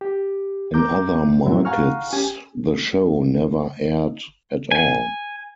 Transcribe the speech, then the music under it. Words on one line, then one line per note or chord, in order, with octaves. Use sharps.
In other markets the show never aired at all.
G4
A#4 A#5 D6 G6
F#2 A2 F#3 C4 E4
F5 F#5 G#5 A#5 C#6 F6
C#4 G4 G#5
G#5